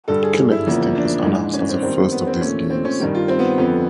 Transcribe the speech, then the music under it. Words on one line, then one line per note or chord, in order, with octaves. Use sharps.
"Killer Instinct" was announced as the first of these games.
G2 D3 G3 A4
G#4
E4
E2 C#3 F3 A#3
D4
G#2 E3 G#3
C#4
C4
G2 D#3 G3 A#3 C4
B3
C4
A#2 F3 A3 C#4
C4
C#4
G2 D#3 G3
F4
C4
B3
F2 D3 F3 B3